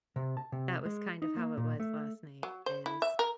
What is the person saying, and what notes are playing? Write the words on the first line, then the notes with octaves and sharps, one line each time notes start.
That was kind of how it was last night is
C3
A5
C3
G#3
D#4
A#3
A#2
A3
F#3
C5
E4
E5
A#4